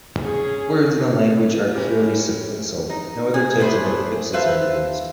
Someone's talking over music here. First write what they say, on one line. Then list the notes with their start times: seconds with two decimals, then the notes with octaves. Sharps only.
Words in the language are purely suffixal; no other types of affixes are used.
0.23 C#4 G#4
1.74 C#4 E4 G4 A#4
2.90 D#4
3.34 G#4
3.58 A3 B3 D4 G#4 B4 C5
4.33 B4 C5 E5 F5 A5